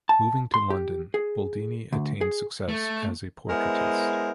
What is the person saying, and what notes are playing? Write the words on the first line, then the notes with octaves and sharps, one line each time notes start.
Moving to London, Boldini attained success as a portraitist.
A5
C6
G4
G#4
D2
G#4
A3
G#3 B3 E4 A#4 C5 D#5